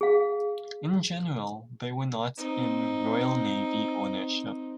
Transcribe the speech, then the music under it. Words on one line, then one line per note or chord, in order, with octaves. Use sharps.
In general, they were not in Royal Navy ownership.
G#4 F5
C4 D#4